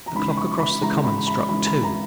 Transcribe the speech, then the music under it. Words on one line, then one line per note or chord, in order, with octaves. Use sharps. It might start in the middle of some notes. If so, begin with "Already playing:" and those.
The clock across the common struck two.
A#5
C#3 E3 G#3 D#4 B5
C#6
B5
C#3 E3 G#3 D#4 A#5
B5
B5
C#3 E3 G#3 D#4 B5
B5
A#5